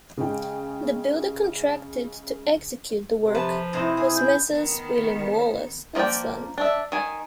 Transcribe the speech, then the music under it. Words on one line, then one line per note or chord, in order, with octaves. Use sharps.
The builder contracted to execute the work was Messrs William Wallace and Son.
C#3 G#3 G5
C3
F3 B4 A5
C3 D#4 E4 C5
G#4
E4 G6
D#3 B3
F3 A#3 E4 D5 G5
D4 E5
D#3 G#5